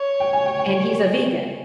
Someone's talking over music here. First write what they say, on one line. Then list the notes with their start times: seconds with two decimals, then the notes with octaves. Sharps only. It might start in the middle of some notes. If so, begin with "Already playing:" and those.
and he's a vegan.
Already playing: C#5
0.20 G5
0.33 G#5
0.46 G5
0.59 G5